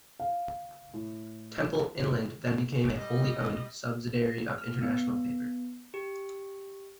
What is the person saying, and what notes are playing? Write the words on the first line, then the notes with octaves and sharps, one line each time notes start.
Temple-Inland then became a wholly owned subsidiary of International Paper.
F5
A2
G3 D#5
F6
B3
G4